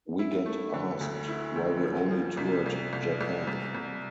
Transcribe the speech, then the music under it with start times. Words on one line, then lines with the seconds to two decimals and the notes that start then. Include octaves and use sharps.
We get asked why we only toured Japan.
0.19 E4
0.46 A3
0.74 D3
1.01 D2
1.28 E4
1.56 D2
1.83 F3
2.10 F3
2.37 C2
2.66 C2
2.93 C2
3.21 C2
3.47 C2
3.75 C2